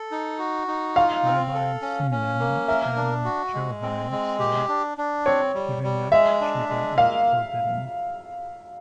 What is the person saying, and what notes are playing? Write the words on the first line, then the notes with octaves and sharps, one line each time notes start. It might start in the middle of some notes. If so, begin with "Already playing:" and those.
Rabbi Simeon ben Johai said giving up Sheba is forbidden.
Already playing: A4
D#4
F#4
D#4
F4 F5
C4
A4
C#4
C#4
A#3
A#4 E5
D4
F#4
G#3
C4
G#3
G4
D4
D4
C4 C#5
G3
G3
G#3 E5
D4
G#3
A#3 F5